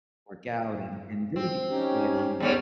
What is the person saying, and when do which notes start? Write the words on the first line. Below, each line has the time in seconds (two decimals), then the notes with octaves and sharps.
work out, and and really get to sweating,
1.36 C4
1.69 C#4 D#4 G4
2.40 D#2 G#2 G3 B3 C#4